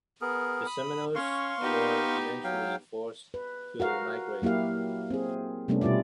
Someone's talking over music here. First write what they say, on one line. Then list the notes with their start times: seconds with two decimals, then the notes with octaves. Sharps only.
The Seminoles were eventually forced to migrate.
0.21 B3 G#4 A#4
0.67 B5 D#6
1.16 C#4 F5 C6 C#6
1.60 B3 D#4 G4
2.44 F#3 F5 G5
3.34 B4
3.80 F#4 A#4 F5
4.42 F#3 A#3 E4 G4 F5
5.10 C4 G#4
5.68 C3 G3 A3 B3 C#4 D4
5.81 B2 G3 E4 F4 D5